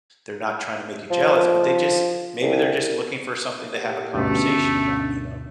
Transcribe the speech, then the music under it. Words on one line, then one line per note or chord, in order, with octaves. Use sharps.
they're not trying to make you jealous, but they just maybe they're just looking for something to have a conversation about, you know?
F3
C2
G4 F#5
D2 G2 B2 A3 C#4 D4